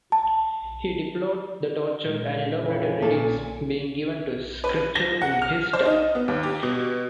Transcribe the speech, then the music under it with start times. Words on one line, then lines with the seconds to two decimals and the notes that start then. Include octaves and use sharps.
He deplored the tortured and elaborated readings being given to Scripture in his time.
0.12 A5
2.05 A#2 G#3
2.61 F2 C#3 E3
3.02 A#2 C#4 A4 G#5
4.64 B4
4.95 A#6
5.22 F#5
5.42 F6
5.73 C5
5.85 D#4
6.15 B3
6.28 D#2
6.43 G4
6.63 B2